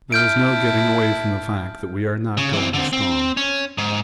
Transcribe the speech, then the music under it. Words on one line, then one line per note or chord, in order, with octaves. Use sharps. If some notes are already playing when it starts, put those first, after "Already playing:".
There is no getting away from the fact that we are not going strong.
E4 A5 F6 G6 D7
C#3
E3 C4
D3 C4
C4
C#4
G#2